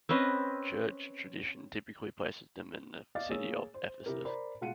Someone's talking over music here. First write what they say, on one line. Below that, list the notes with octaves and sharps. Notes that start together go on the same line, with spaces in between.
Church tradition typically places them in the city of Ephesus.
C4 C#4 B4 D#5
D5 D#5 F5 D6 F6 A6
A#3 G#4 C#5 E6
C5
C3 E4 G4 A#4
A#4 C5 D5 A#5 B5
B2 G#3 F4 F#5 C#7 D#7